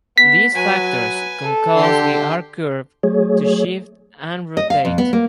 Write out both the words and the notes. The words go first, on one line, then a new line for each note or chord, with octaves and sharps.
These factors can cause the R curve to shift and rotate.
B3 B6
F#3 B4 G#5
A4
D3 G4 C6
F#3 A3 G#4 C#5
D#5
F5
F2
B3
A#3